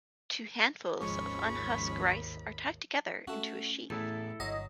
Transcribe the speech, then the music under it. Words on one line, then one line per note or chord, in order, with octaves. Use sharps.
Two handfuls of unhusked rice are tied together into a sheaf.
G#1 D#2 F3 G#3 C#4 B5 C#6
A3 C#4 F#4
A1 E2 A2 E4 A4
G1 F#3 D#5